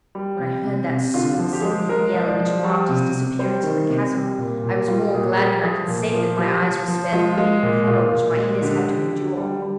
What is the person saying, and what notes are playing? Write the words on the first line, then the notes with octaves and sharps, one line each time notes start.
When I heard that soul-sickening yell, which marked his disappearance in the chasm, I was more glad than I can say that my eyes were spared the pain and horror which my ears had to endure.
G3
C3
C3
C3
D3 F4
F3
G4
G#3 G#4
G4
G#3 A#4
F3
D5
F3
G3
C3
C3
G3 C5
D#3
C3
G3
A#2
A#2
G3 F4
A#2 G#4
G3 G#4
F3 G#4
A#2
F3
F3 G4
F3
F3
G#3 F4
G#3
A#2
A#2 F4
A#2
G#3
D3 G4
D3
D3
G3
G3